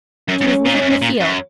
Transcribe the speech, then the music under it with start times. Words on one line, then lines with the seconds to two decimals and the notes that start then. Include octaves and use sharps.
She was leading the field.
0.28 F#2 C#4
0.41 G#2
0.46 F#2
0.65 A#2
0.73 G#2
0.81 F#2
0.90 G#2
1.02 A#2
1.20 F#2